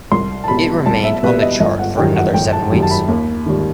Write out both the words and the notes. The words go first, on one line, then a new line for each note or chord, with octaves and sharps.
It remained on the chart for another seven weeks.
C2 C6
A5
B2 G3 B5
C2 A5
E5
B2 G3 B4
D#5
G1 D#5
F#5
F#2 D#3 G3 G5
F#5
G1 G5
A5
F#2 D#3 G3
A5
B5
D#2
D#3 G3